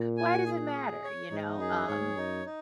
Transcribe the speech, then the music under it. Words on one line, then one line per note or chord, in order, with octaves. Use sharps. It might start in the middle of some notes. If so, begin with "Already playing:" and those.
why does it matter?" you know? Um,
Already playing: A#2
G#5
G#4
G#4
C#5
G#2 D#4
F#2 G#4
G#2 C#5
F#2 D#4
D#4